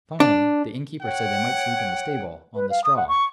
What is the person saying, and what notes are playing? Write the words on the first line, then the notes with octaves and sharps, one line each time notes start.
Finally, the innkeeper said they might sleep in the stable, on the straw.
D4
C#5 F#5 G5
B4
F5
D#6
F#5
C#6